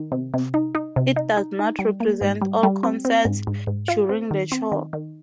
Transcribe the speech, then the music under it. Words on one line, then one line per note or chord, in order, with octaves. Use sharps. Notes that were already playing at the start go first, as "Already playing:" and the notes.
It does not represent all concerts during the tour.
Already playing: D#3
C3
C3
D#4
D#4
C3
D#4
D#4
D#4
G3
A#3
G#2
G3
G3
C4
C4
G#2
G#2
G#2
F4
C4
D#3
C4
D#3
D#3